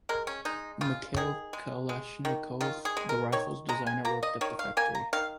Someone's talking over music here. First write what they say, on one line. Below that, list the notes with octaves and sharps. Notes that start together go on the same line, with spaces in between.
Mikhail Kalashnikov, the rifle's designer, worked at the factory.
G#3 A#4
C#4
G#3 D#4
C#3 F4
D#3 G#4
G#3
G#3
D#3
D#3 F4
G#4
G#3
A#4
D#3 C#5
G#3 A#5
G#5
A#3 A#5
D#5
D#3 C#5
F5
A#3 G#5
A#5
D#3 F5